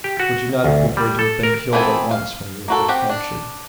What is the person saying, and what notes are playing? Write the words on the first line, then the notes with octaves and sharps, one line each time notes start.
Would you not have preferred to have been killed at once when you were first captured?
G4
F#4
D2
G3
A4
A#4
E3 B3 C4 A4 G#5
F5
A#3 F#4 A4
C4 G4 F#5
D4